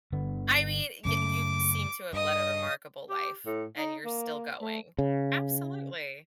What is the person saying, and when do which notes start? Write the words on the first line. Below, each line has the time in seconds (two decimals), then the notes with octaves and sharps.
I mean, y you seem to have led a remarkable life and you're still going. Absolutely.
0.12 G1 D3 B3
1.05 F#2 C#3 A3 D6
2.13 G2 D#5 D#6
3.09 G4
3.46 A2
3.78 D#4
4.05 A#3
4.62 A3
4.99 C#3